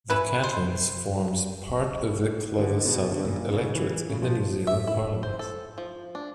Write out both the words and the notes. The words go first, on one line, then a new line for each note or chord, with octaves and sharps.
The Catlins forms part of the Clutha-Southland electorate in the New Zealand Parliament.
C#4 E4 B4
C5
D3
B2
D3
A#2
C#3
E3
C#3
F3
E5
E4
C5
A4
F3
D4